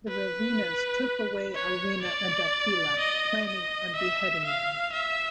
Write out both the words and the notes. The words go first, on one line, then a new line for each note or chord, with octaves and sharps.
The Ravenas took away Alwina and Dakila, planning on beheading them.
B4
C#5
D5
D#5
D#5
E5
F5
E5